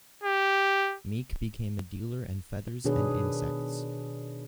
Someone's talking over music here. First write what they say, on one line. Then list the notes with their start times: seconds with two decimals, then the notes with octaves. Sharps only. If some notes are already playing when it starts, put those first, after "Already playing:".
Meek became a dealer in feathers and insects.
0.24 G4
2.85 B2 D#3 D4 G#4 B4 C#5